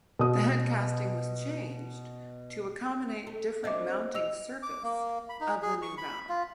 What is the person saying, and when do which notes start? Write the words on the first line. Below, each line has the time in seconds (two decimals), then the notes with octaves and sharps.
The head casting was changed to accommodate different mounting surface of the new valve.
0.19 B2 D#6
3.27 A3
3.64 F#3 C4 D4 D#5 E5 D6
4.14 G4 D#5 E6 F7
4.63 D6
4.83 A#3
5.29 B5
5.41 D#4
5.62 G#4
5.82 C#6
5.98 B5
6.29 F4